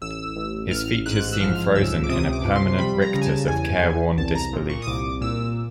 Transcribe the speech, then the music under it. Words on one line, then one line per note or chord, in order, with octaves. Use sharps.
His features seem frozen in a permanent rictus of careworn disbelief.
A1 E6
A1
A1 F6
G#2 F#6
E6
F3 F6
C#2 E6
D6
C3 D#6
D6
F3
C6
C6
G3 B5
A#5
C#3
G#5
A5
E2 G#5
E2
C2 A5
A#5
A#2
C#6
D#6
C2 D6
A#2 E6